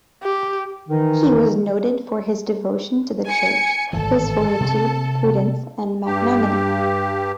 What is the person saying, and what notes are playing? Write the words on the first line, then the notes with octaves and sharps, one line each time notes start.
He was noted for his devotion to the Church, his fortitude, prudence, and magnanimity.
G4
D#3 E3 D#4
G#5 C#7
G#1 A2 E3 A4 A5
C3 C4
G2 G4